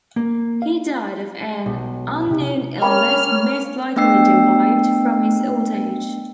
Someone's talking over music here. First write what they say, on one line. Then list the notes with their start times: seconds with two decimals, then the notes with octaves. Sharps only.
He died of an unknown illness most likely derived from his old age.
0.16 A#3
0.62 F5
1.66 B1
2.31 C3
2.82 A#3 C#4 C#5 G5 A#5 B5 F6
3.96 A3 B3 D4 G5 E6 C7